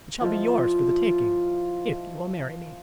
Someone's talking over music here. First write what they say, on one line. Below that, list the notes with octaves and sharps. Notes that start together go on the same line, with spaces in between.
It shall be yours for the taking--if you will marry me.
F3 E4 F4 D#5